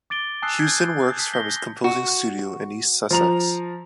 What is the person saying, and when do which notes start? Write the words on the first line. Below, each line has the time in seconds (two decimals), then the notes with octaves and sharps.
Hewson works from his composing studio in East Sussex.
0.10 D6 A6 D7 G7
0.42 G#5 A5 D#6 E6 F#6 C7
0.60 G6 G#6
1.17 A5 B6 C7
1.33 G6 A#6 G7
1.84 F#4
3.11 F3 A#5 F7